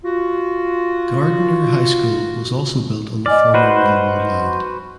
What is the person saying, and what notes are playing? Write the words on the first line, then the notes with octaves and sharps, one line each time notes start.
Gardiner High School was also built on the former railroad land.
F4 F#4
D5 D#5 G#5 F6
F#4 B4 C5